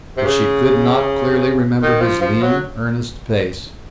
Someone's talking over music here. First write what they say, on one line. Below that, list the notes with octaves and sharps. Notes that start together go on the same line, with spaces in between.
But she could not clearly remember his lean earnest face.
C3
C#3
D#3
F3
F3
F#3